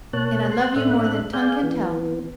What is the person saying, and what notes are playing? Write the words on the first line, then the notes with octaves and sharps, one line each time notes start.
And I love you more than tongue can tell.
B2 A#3 C#5 A5 F#6
C6 F#6
A2 C4 D4 A4 E5 F#6
G#4 D5 F5 G#5 G6
E3 B3